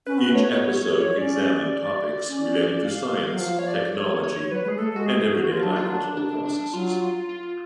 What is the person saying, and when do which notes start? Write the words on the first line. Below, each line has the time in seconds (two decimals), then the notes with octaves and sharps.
Each episode examined topics related to science, technology, and everyday items or processes.
0.06 C#4 B4
0.18 B3
0.30 A3
0.35 C#5
0.42 B3
1.18 C#4 D5
2.28 C#4
2.85 F5
3.30 F#3
3.40 F3 F5
3.59 C#5
3.68 D5
3.96 C#5
4.23 C#5
4.51 F#3 B4
4.65 G#3
4.68 G#4
4.78 A3 A4
4.93 G#3 F#4
5.06 G#4
5.34 F#4
5.51 F3 F4
5.62 F#3 D4
5.76 F4
5.90 D4
6.04 D4
6.17 D4
6.46 D4
6.73 F#3 F4
7.29 F4